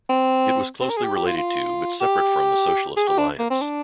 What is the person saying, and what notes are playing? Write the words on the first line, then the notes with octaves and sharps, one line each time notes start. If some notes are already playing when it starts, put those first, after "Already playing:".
It was closely related to, but separate from the Socialist Alliance.
C4
C4
A#4
G#4
G4
G4
F4
F4
G4
G#4
G4
D4
A#3
C4
D4